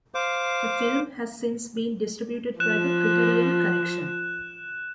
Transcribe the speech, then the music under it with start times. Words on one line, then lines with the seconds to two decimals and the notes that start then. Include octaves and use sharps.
The film has since been distributed by the Criterion Collection.
0.15 C5 F5 D6
2.60 F3 F#6 E7